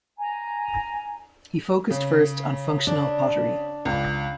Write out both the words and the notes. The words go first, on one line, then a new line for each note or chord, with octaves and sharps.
He focused first on functional pottery.
G#5 A#5
C#3
D4
C#2